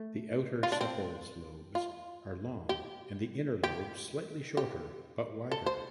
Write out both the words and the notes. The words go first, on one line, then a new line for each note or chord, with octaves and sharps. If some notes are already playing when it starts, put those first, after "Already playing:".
The outer sepals lobes are long and the inner lobes slightly shorter but wider.
Already playing: A3
F4
D4
C4
F4
G4
G4
G4
A4
C5